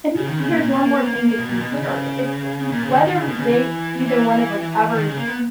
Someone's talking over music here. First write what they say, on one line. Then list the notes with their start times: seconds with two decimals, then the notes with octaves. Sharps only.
And, here's one more thing to consider. I it's it whether they either one of 'em ever
0.16 C#3
0.27 D#3
0.38 C#3
0.49 A#2
0.60 A#2
0.71 B2
0.82 A#3
0.94 B3
1.05 A#3
1.16 A#3
1.27 A#3
1.38 B2
1.49 A#2
1.60 B2
1.72 C#3
1.82 C#3
2.72 A#2
2.83 C#3
2.89 E3
2.94 D#3
3.06 D#3
3.16 C#3
3.27 B2
3.39 C#3
3.50 E3
4.06 E3
4.95 D#3
5.06 C#3
5.17 A#3
5.28 B3